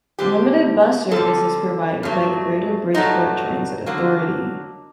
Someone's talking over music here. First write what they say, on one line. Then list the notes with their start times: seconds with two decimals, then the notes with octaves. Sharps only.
Limited bus service is provided by the Greater Bridgeport Transit Authority.
0.19 D3 G3 C4 G4
1.11 D3 G3 C4 A4
2.03 G2 F#3 A3
2.95 G2 F#3 A3 D#4
3.86 D3 F#3 A#3